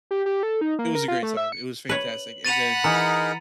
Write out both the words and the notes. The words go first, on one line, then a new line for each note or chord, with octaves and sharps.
It was a great time. It was fantastic, and then
G4
G4
A4
D#4
A#3
A#4
F4
A3
E5
C#7
B4 C#5 F#7
F#5 B5 A6 D#7 F7
E3 D#4 G#4 A#4 A#5